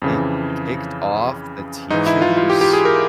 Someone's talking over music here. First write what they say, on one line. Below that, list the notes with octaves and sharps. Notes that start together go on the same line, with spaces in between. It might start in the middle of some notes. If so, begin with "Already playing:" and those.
They kicked off the teachers?
F2 C#3 E3
G#2 E3 D#4
E4
F4
F4
G4
G4
G#4
A#4